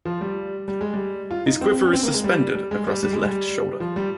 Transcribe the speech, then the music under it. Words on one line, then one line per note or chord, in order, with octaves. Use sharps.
His quiver is suspended across his left shoulder.
F3
G3
G3
G#3
G3
F4
D#4
C4
C4
C#4
C4
A#3
G#3
G3
G3
G#3
G3
G3
G#3
G3
F3
G3